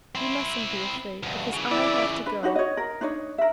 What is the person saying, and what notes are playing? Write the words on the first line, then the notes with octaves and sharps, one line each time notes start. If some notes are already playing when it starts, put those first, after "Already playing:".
You mustn't be afraid, because I have to go.
C4 E4
D2 G2
C#3 E3
E4 D5
D4 B4
D4 D#4 F#4 C#5
C#5 D#5
A#4
D4 D#4 C#5 D#5
A#4 E5